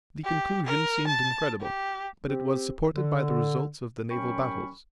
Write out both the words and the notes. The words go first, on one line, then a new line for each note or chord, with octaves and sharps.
The conclusion seemed incredible, but it was supported by the results of the naval battles.
G4
A#4
A5
G4
C4 G4
D3
D#2 F#3 C#4 G5 B5 C#6